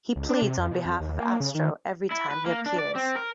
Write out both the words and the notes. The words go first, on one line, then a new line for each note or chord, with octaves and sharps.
He pleads on behalf of Astro every time he appears.
C#2
D4
C3
F2
B2
F2
D#2
A#3
C#3
D#3
E4
B4
A#3
D4
D5
C4
A#4